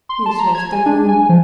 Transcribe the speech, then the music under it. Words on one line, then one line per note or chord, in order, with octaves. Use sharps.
He has left the room.
C6
A5
A#5
G#6
G#5
D4
G#5
F3